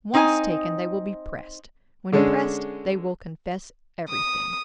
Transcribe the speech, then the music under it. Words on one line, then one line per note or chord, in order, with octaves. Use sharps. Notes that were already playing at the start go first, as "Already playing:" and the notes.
Once taken, they will be pressed; when pressed, they will confess everything.
C4 D#4 D#5 G#5
D3 G#3 C#4 D4
D#6